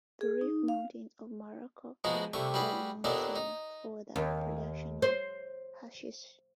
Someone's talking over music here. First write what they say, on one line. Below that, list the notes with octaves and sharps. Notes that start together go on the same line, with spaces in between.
The Rif Mountains of Morocco are a well-known center for the production of hashish.
G#4
D#4
F5
F3 G#3 B3 D#4 F#4
C2 C3 A3 C#6
G3 F#4 G#4 B4
D#2 A#2 B3 D4 D#4 A4
D#4
D#2
C5